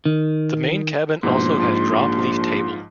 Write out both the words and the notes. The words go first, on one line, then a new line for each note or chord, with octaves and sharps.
The main cabin also has drop leaf table.
D#3
A#1 G#2 B2 C5 C6
G#2 F3